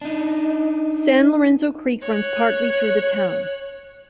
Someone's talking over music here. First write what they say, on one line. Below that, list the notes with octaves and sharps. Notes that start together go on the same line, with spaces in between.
San Lorenzo Creek runs partly through the town.
D4 D#4
C#5 F#6